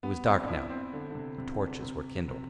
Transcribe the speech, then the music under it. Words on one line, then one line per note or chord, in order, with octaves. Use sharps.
It was dark now, and torches were kindled.
B3
C4
D4
E4
C4
D3
D3
C3
C3
D3
C3
C3